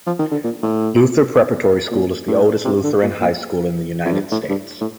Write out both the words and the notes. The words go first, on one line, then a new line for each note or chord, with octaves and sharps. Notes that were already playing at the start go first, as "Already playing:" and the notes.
Luther Preparatory School is the oldest Lutheran high school in the United States.
F3
D#3
D3
A#2
A2
A#2
A2
C3
D3
A#2
A#2
F2
G2
A2
G2
A2